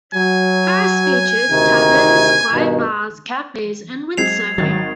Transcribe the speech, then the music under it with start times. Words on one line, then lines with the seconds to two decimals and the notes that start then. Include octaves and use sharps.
Faris features: taverns, quite bars, cafes, and windsurfing.
0.14 F#3 G#5
1.48 D2 C3 D#3
2.50 G2 B2 D#3
4.17 F#3 G#3 C4 G#6 C7 F7
4.58 G#1 D#3 F#3 A6